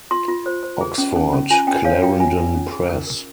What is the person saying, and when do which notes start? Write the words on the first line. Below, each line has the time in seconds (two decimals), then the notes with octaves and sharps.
Oxford, Clarendon Press.
0.11 F4 C6
0.28 F4
0.46 C5
0.63 C5
0.81 G#4
0.98 C#4
1.16 C#4
1.33 C#4
1.50 F4 G#5
1.67 C#4 G5
1.85 C#5 F5
2.02 F4 G5
2.20 F4 G#5
2.38 F4
2.55 C#4
2.72 G#4
2.89 A#4
3.07 A#4